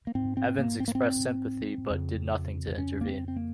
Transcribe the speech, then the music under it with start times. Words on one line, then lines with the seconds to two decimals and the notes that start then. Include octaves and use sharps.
Evans expressed sympathy but did nothing to intervene.
0.07 A#3
0.15 G#2 C4
0.37 C4
0.59 A#3
0.80 C4
0.88 A#3
0.95 C4
1.90 F2 C#3
2.78 C#4
3.01 A#3
3.07 C4
3.28 C4
3.36 A#3